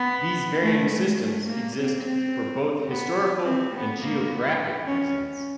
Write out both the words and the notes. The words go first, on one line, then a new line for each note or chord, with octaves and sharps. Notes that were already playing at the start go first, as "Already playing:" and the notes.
These varying systems exist for both historical and geographic reasons.
Already playing: B3
A3
G#3
A3
A#3
C4
C4
B3
C4
B3
A#3
B3
C#4